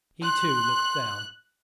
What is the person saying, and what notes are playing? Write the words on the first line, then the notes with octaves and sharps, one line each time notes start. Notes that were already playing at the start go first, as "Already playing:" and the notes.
He too, looked down.
C6 F#6